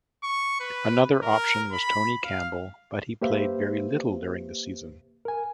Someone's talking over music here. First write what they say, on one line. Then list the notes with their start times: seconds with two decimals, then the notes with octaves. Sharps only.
Another option was Tony Campbell, but he played very little during the season.
0.24 C#6
0.60 B4
1.23 A#4
1.73 B5
2.24 F5
3.22 A#3 G4 B4 C5 E5 F5
5.25 A#4 G#5